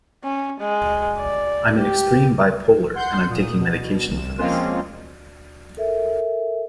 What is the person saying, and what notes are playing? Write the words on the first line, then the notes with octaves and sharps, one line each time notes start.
I'm an extreme bipolar, and I'm taking medication for this ...
C#4
G#3
D5
G4
F#5 C6 G6
A#2 D#6
B2
C2 E7
F3 G#3 A#3 C4 C#4 F4
A4 A#4 E5